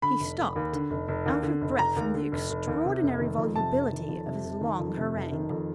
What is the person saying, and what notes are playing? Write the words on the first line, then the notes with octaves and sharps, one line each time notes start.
He stopped, out of breath from the extraordinary volubility of his long harangue.
D3 B5
F1
F1
D#2
D3
F1
F1
D#2
D3
F1
F1 A#5
D#2
D3
F1
F1
D#2
C3
F1
D#3
F2
C3 A5
F1
D#3
F2
C3
F1
D#3
F2
C3
F1
D#3
F2